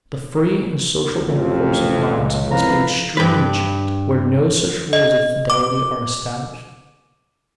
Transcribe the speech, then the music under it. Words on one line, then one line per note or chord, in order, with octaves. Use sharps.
The free and social intercourse of minds must be extremely checked, where no such rules of fidelity are established.
A1 F2
C#2
G#1 F2 E4 B4 F5 A#5
G2 B4
D#5
D6